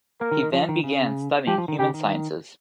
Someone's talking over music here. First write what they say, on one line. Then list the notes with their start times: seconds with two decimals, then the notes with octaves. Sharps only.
He then began studying human sciences.
0.21 A#3 A#4
0.31 D#3
0.43 D#3
0.53 F3
0.69 D#3
0.84 C#3
1.47 F3 G4
1.58 F3
1.68 D#3
1.79 C#3 G4
1.94 D#3